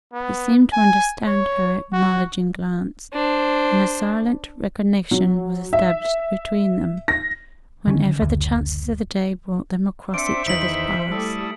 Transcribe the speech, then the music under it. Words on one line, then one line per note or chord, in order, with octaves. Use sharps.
He seemed to understand her acknowledging glance, and a silent recognition was established between them whenever the chances of the day brought them across each other's paths.
B3
G#5
C#5
F#4
D4 C5
F#3
E5
A#6
D3 D#3 B3 C#4
F#1 D2
C4 D4 C5 E5 C#7 D7
E2 D#3 B6 F#7
G3 A3 E4 A4 D#6